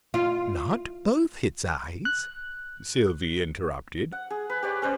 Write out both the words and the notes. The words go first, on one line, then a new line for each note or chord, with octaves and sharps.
"Not both its eyes," Sylvie interrupted.
F4
F#6
F#5
G#4
B4
G4 C#5 D5
C#4 B4 C5 D5